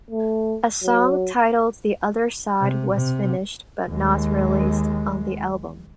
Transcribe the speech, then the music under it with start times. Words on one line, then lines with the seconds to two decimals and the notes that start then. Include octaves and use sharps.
A song titled "The Other Side" was finished but not released on the album.
0.11 A3
0.83 F#3
2.60 C3
2.93 C3
3.89 D#2 G#3